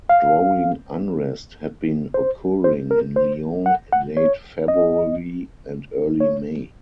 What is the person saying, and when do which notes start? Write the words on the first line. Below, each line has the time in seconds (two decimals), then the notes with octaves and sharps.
Growing unrest had been occurring in Lyon in late February and early May.
0.09 F5
2.14 C5
2.64 C5
2.91 A#4
3.16 C5
3.66 F#5
3.93 F#5
4.17 C#5
4.68 D#5
6.20 C#5